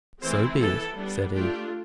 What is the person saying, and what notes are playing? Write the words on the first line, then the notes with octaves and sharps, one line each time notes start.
"So be it," said he.
E3 A3 C4 E4 C5
E3 B3 E4 A4
G3 B3 D4
A3 D4 F4 G4